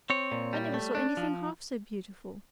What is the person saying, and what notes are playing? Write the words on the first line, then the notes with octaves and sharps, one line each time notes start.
I never saw anything half so beautiful!
C4 C#5
A#2
G3
A3
D4
F3